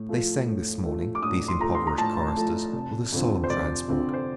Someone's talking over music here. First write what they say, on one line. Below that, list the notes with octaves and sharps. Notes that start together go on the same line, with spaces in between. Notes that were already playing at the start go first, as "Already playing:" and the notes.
They sang this morning, these improvised choristers, with a solemn transport.
Already playing: A2
F3 A3
A2
F3 A3
D6
A2 D#6
C6
F3 A3 A#5
C6
A#5
A2 A5
F3 A3
F1
F2 D3 F3 C4
C5
F1 D5
F2 D3 F3 C4
C5